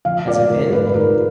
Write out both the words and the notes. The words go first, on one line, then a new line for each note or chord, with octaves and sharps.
"Has it been?"
F3 F5
D5
G#2 A#4
B4
B4
G#2 A#4